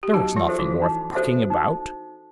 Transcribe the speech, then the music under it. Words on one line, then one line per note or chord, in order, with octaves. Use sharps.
"There was nothing worth bucking about."
G4
F#3 D#4 F#4
F3 F4
F#4 A4 C5 E5
E3 E4
D#4
F#4 A4 C5 E5
D#4